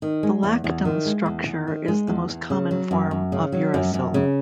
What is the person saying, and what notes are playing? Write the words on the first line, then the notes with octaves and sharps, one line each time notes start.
The lactam structure is the most common form of uracil.
D#3
G#3
E2
E2
D#3
G#3
E2
E2
D#3
G#3
E2
E2
C#3
F#3
F#2
F#2
C#3
F#3
F#2
F#2
C#3